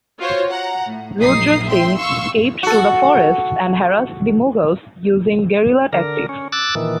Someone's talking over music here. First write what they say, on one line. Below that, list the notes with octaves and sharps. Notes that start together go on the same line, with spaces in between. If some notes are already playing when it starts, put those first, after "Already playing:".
Rudra Singh escaped to the forests and harassed the Mughals using guerilla tactics.
F4 F#4 C5 C#5
F#5 A#5
A2
A#1 F#2 D#4 D#6 C7
E5 G5 C6
F5 C6 C#6 E6
F#4 A4
D3 A#4
C#4
D6 E6 F#6 A6
A#2 D#3 E3